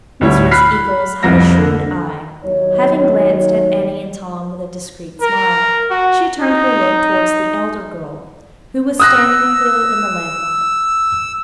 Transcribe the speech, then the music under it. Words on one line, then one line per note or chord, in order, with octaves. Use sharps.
Mrs. Eagles had a shrewd eye; having glanced at Annie and Tom with a discreet smile, she turned her look towards the elder girl, who was standing full in the lamplight.
D2 A2 G3 C#5
B5 F6 F#6 B6 C7
C2 F2 A#6
D3
D#2 F#3 D#4 C#5
A#4
F#4
D#4
D#6 E6 F#6 A#6